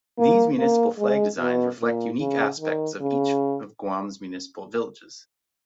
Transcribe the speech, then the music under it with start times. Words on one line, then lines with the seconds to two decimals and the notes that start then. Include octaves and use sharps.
These municipal flag designs reflect unique aspects of each of Guam's municipal villages.
0.18 A#3
0.58 A#3
0.98 G#3
1.39 B2
1.80 A#2
2.20 C#3
2.60 D#3
3.00 C#3